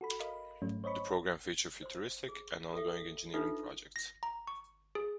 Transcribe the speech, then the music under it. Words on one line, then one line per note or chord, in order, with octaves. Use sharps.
The program featured futuristic and ongoing engineering projects.
F#4 A4 B5
A#4 D#5 F5 B5
G#2 F#3 A3 C#4
C5 C#5 D#5 B5 C#6
C5 C6
G#4
A4 E5
D4 D#4 F4 A4 B4 E5
A#6
A#5
C#6
G#4